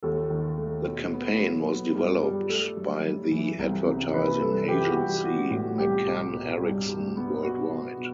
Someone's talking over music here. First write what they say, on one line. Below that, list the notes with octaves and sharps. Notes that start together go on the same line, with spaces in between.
The campaign was developed by the advertising agency McCann-Erickson Worldwide.
D#2 A4
D#3
A3
B2
B3
F#3
B3
G2
G3
A3 A4
F#2
F#2
E3
C2
C3
E3 B4
G2 A4
E3 G4
F#4
G3 G4
B3 F#4
A2 F#4
C2 G4
C2
B2
G2
G2
B3
B2 F#4
B3
B2